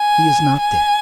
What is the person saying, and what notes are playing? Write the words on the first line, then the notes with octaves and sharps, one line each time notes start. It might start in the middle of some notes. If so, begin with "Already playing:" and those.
He is not dead.
Already playing: G#5
G#5